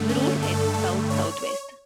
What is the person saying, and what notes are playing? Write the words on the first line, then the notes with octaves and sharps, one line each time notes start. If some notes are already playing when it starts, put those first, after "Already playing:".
The route heads south-south-west.
Already playing: G2 D3 A3
C#4
A4
C#5